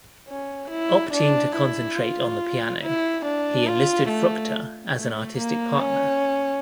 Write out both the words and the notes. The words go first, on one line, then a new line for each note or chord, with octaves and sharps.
Opting to concentrate on the piano, he enlisted Fruchter as an artistic partner.
C#4
E4
D4
E4
F4
E4
D4
F4
A3
A3
A#3
C#4